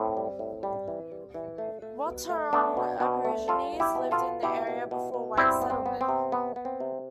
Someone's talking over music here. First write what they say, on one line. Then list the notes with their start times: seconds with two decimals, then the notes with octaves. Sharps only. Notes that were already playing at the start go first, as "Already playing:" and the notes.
Wathaurong Aborigines lived in the area before white settlement.
Already playing: A2 C4
0.17 G3
0.39 A2
0.63 G3
0.88 E3
1.12 G3
1.34 E3
1.58 A3
1.82 A3
2.06 B2
2.29 A3
2.53 A3 B3 D4
2.77 B2
3.00 B2
3.25 A3
3.48 G3 F4 A4
3.72 B2
3.80 E4 G4
3.95 B2
4.11 F4 A4
4.19 B3
4.43 B2 E4 G4
4.67 B2
4.91 B2
5.14 B2
5.37 G3 C4 E4
5.62 B3
5.70 C4
5.86 B3
6.01 C4
6.09 C3
6.32 B3
6.56 B3
6.65 C4
6.80 C3